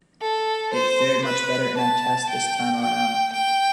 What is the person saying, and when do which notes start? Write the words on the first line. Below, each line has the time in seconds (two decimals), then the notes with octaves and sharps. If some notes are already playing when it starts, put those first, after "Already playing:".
It fared much better in our tests this time around.
0.21 A4
0.74 C5
1.25 B4
1.78 A5
2.30 G5
2.82 G5
3.33 G5